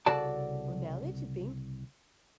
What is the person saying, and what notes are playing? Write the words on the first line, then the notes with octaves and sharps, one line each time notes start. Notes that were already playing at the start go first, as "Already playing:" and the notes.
Oh, now that you think,
C2 C#3 F#4 A4 D5 A5